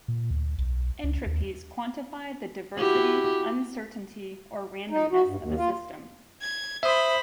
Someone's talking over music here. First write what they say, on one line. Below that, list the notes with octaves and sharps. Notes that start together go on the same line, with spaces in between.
Entropies quantify the diversity, uncertainty, or randomness of a system.
A#2
D2
B1
C#2
D#2
E4 F#4 G4
D#4
F#4
G2
D#2
F4
G#6
C5 E5 B5 D#6